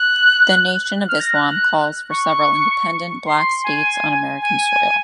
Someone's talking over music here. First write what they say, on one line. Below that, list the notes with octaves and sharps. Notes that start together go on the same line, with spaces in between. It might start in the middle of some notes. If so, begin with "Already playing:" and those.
The Nation of Islam calls for several independent black states on American soil.
Already playing: F#6
F6
A#6
F#6
C#6
C6
G#5
G#5